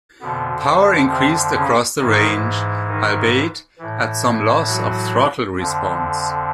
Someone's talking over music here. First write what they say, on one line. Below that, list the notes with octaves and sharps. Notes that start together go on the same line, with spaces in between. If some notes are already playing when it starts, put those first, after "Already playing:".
Power increased across the range, albeit at some loss of throttle response.
F2 B2 D3 B3
C3 C4
C#3 C#4
G#2 D#3 E3 D#4
D#3 D#4
A2 E3
F#3 F#4
F2 D3